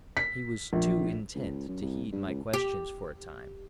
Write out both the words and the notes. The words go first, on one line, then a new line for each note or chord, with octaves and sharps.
He was too intent to heed my questions for a time.
B6
A#1
C#2
F#2
C2
G2
C#2
G4